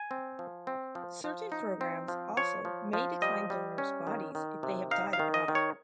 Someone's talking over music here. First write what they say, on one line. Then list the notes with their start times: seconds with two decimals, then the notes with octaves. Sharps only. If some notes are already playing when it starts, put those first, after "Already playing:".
Certain programs also may decline donor's bodies if they have died abroad.
Already playing: G#5
0.11 C4
0.39 F3
0.67 C4
0.95 F3
1.24 F3
1.52 D#4
1.81 C4
2.08 F3
2.37 F3 C#5
2.65 F3
2.93 F3
3.22 G3 D#5
3.50 G3
3.78 C#4
4.07 D#3
4.35 D#3
4.63 C3
4.91 D#4 F5
5.13 F5
5.19 D#3
5.34 D#5
5.48 D#3
5.55 C#5